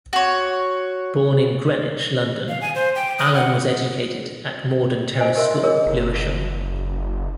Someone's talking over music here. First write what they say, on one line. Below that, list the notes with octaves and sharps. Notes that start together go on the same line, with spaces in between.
Born in Greenwich, London, Alan was educated at Morden Terrace School, Lewisham.
F#4 C#5
F5
G#5
C5
G5
D#6
F#5
C5 D#5 G#5
G4 A#4 E5 C6
D#5
G#4 A#4 C#5
F#1